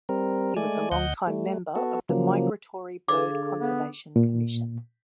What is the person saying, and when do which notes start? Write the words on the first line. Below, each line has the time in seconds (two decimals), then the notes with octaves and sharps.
He was a longtime member of the Migratory Bird Conservation Commission.
0.09 G3 C4 A#4
0.57 G#3 A3 D5 G#5
0.91 D2 D#5 F#5 G6
1.27 G3 A3
1.75 B3 F#4 A4
2.09 C#3 F3 F#3 A#3
3.08 D3 G#4 A4 F5 D6
3.60 B3
4.16 A#2